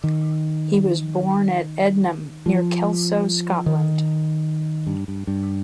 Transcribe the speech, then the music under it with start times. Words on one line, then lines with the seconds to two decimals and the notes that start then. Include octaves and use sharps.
He was born at Ednam, near Kelso, Scotland.
0.04 D#3
2.46 F3
3.66 D#3
4.87 G2
5.08 G2
5.27 G2